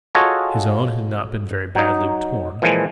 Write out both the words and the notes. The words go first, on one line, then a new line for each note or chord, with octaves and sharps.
His own had not been very badly torn.
F4 F#4 G#4 A4 C#5 D#5
F#3 D#4
A#2 E3 F3 G#3